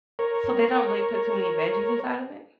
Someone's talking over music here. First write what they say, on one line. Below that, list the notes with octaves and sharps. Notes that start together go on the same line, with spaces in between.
So, they don't really put too many veggies inside of it?
A#4 C#5